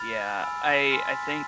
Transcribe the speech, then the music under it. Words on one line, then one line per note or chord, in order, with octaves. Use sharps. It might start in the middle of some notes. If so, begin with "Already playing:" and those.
Yeah, I I think
Already playing: B5 F6 A6
G#5 B5 E6
G#5 C6 F6 B6
A6
B6